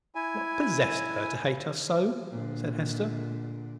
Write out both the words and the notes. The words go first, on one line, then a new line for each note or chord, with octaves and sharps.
"What possessed her to hate us so?" said Hester.
E4 G#5
A#2 D3